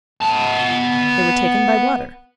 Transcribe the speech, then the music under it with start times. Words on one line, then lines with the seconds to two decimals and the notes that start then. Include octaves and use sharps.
They were taken by water.
0.22 B3 A5